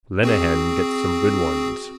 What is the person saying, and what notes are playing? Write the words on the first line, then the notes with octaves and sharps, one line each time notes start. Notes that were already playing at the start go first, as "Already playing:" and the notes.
Lenehan gets some good ones.
C4 F#4 G#4